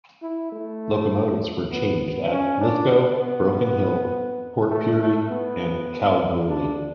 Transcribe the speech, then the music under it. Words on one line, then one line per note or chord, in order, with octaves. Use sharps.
Locomotives were changed at Lithgow, Broken Hill, Port Pirie and Kalgoorlie.
E4
A3
B3
B3
C#4
D4
B3
A3
A3
B3
D4